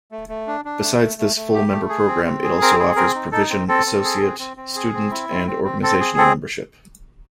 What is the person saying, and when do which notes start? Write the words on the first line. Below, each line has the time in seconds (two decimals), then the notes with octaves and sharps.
Besides this Full Member program, it also offers Provision, Associate, Student and Organizational Membership.
0.12 A3
0.29 A3
0.47 D4
0.65 D4
0.82 A3
1.00 A3
1.18 A3
1.36 A3
1.54 G4
1.71 A3
1.89 G#4
2.08 C4
2.25 C4
2.43 G#4
2.61 C4 A#4
2.80 G#4
2.96 C4 A#4
3.15 D#4
3.32 D#4 A4
3.50 C4
3.68 C4 A4
3.86 C4
4.04 G#4
4.22 C4
4.39 C4
4.57 C4
4.76 G#4
4.94 C4
5.11 E4
5.29 C4
5.47 C4
5.64 C4
5.82 C4 A4
6.00 G#4
6.18 C4 A4